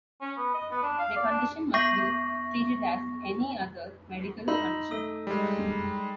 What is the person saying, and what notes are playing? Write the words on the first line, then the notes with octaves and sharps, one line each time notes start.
Their condition must be treated as any other medical condition.
C#4
B3
D#5
B3
D4
F5
D5
D4
B3 C#6 A#6
D#4 B5 C6 E6
A3 A4 D#6
G3 G#3